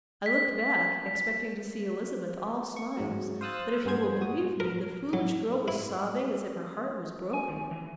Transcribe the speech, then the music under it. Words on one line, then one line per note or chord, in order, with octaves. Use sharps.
I looked back, expecting to see Elizabeth all smiles, but if you will believe me the foolish girl was sobbing as if her heart was broken.
B6
C#6
G#2 F#3
C5 F5 D#6 E6 F#6 A6
G2 B3 G#4 C5 G#6
A#2 F#4 D#6
A#4
F#3
E4
G#5
D#3
E3